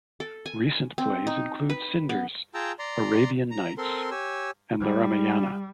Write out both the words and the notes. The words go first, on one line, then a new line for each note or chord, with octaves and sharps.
Recent plays include "Cinders", "Arabian Nights", and "The Ramayana".
A4
G#5
C4
D#4
B4
B3
F4 G#4 G5 A5 A#5 E6
D5 A#5 C6
A#5
C4 A4 A#4 C6
G4 C#5 G#5 E6
G3